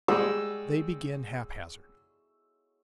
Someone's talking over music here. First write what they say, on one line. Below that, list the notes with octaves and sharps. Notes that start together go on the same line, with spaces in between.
They begin haphazard.
G3 G#3 E6